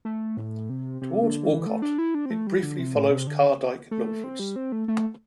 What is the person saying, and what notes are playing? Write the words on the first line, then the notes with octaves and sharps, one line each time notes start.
Towards Walcott it briefly follows Car Dyke northwards.
A3
A2
C3
C3
D3
E3
A3
D4
E4
D4
C4
A3
G3
D3
C3
A2
C3
D3
A3
C4
G3
C4
A3
A3